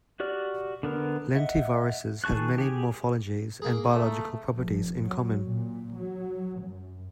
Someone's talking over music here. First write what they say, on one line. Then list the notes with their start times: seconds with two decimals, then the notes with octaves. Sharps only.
Lentiviruses have many morphologies and biological properties in common.
0.20 F#4 G4 D5 F6
0.83 D3 B3 A#4
1.35 D#5 E5 F#5
2.24 D#3 G#4 A5 C#6 F#6
2.58 G4 G#4
3.62 A#3 G#4
3.95 A3
4.54 F1
5.04 F#3
5.45 A#2
5.97 F#3
6.62 F#2